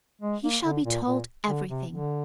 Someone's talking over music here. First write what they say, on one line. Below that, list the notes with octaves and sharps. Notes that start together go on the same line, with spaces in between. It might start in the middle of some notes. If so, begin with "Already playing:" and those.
"He shall be told everything."
G#3
A#3
D3
A#2
A#2
D3
C3
D3